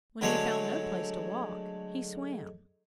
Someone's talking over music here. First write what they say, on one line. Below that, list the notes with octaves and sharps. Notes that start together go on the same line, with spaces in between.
When he found no place to walk, he swam.
D3 F#3 G#3 A3 C#5